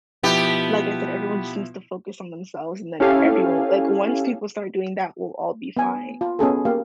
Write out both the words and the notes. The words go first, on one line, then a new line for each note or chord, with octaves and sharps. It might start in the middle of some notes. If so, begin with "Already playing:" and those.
like I said, everyone seems to focus on themselves and then everyo like, once people start doing that, we'll all be fine
B2 F3 B3 E4 G4
C#4 E4 G4 A4 F5 G#5
B3 G#5
F4
B3 C#4 G#4 A4
A#3 G4 F5